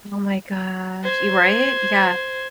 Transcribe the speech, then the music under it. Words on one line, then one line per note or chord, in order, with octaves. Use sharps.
Oh my gosh y right? Yeah.
C5 G#6